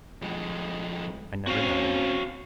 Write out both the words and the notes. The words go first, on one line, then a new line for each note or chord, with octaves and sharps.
"I never doubted it."
F2 G#3
C4 C#4 F#4 C#5 F5